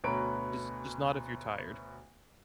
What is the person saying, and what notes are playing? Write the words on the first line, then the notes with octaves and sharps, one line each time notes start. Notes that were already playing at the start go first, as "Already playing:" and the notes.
Just just not if you're tired,
D2 B2 B4 C#5 A#5 D7